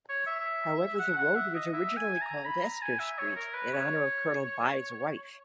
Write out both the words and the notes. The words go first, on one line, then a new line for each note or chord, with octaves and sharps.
However, the road was originally called Esther Street in honour of Colonel By's wife.
C#5
E5
F#5
F#5
E5
D#5
E5
G#5
A#5
B5
A#5
G#5
E5
C#5
A#4
B4
C#5